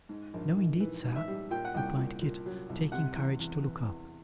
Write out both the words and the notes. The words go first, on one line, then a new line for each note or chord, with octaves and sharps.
'No indeed, sir,' replied Kit, taking courage to look up.
G#2
A#1
G#2
E3
G#2
E5
G3
A#2 G5
F#5
C2 G5
A#2
A#2
F#3
C2
C3 F#5
E2
E2
E3
E2